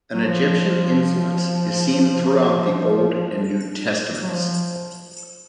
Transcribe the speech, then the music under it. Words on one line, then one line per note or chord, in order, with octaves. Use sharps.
An Egyptian influence is seen throughout the Old and New Testaments.
F#3
F3
F#3
F3